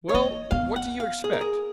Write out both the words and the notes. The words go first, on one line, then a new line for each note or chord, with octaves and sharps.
'Well, what do you expect?
C#5
A#3 D#5
B3 F5
F#5
F5
G#4
A#4
G#4